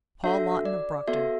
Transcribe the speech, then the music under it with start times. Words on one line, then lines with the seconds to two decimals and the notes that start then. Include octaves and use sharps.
Paul Lawton of Brockton.
0.24 D4 F#4 A4 E5
0.65 D5
1.08 B3 F#4 A4 E5